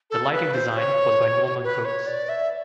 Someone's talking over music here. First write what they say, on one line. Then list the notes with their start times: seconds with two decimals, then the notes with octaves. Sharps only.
The Lighting Design was by Norman Coates.
0.11 A4
0.33 B4
0.54 C5
0.76 C#5
1.64 B4
1.85 C#5
2.07 D5
2.29 E5